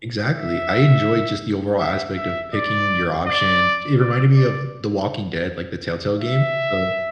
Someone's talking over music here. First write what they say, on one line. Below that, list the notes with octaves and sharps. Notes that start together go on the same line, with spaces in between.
Exactly. I enjoyed just the overall aspect of picking your options. It reminded me of The Walking Dead, like, the Telltale game. So
E5
E5
E5
D5
D5
D5
D5
E5